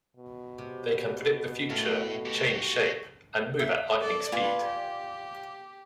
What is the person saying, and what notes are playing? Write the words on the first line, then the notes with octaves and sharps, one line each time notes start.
They can predict the future, change shape, and move at lightning speed.
B2
C3
A2 A3 F5
F#4 G4
E5
A4 D5
F4 B4 D5 G#5
G4